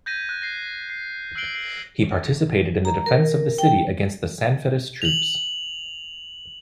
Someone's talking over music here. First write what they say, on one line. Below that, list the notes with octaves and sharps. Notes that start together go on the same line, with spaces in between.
He participated in the defence of the city against the Sanfedist troops.
G6 G#6 A#6 B6 D#7
F#6
A#6 C7
C7
E6 F#6 C7 D7 F#7 G7
C7 F#7
A#5
A#4
G5
F7 F#7